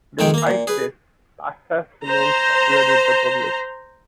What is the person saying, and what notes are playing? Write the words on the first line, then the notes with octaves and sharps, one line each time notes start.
Despite this, Paksas remained popular with the public.
F2 C3 D#3 G#3 G5
A#3 A#5
A#2
G#4 B4
C5 A#5